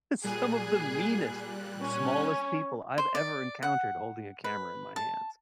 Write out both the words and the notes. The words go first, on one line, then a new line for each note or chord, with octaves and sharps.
some of the meanest, smallest people I've ever encountered holding a camera in my hands.
A#2 G3 G#4 F#6
C#4 C#5
C5
D5
F#5
B4
A5